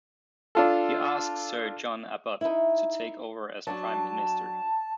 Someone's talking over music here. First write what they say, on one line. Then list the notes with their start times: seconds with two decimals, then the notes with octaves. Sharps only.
He asked Sir John Abbott to take over as prime minister.
0.55 D4 F4 A4
2.41 D#4 E4
3.67 F#3 D4 F#4 A5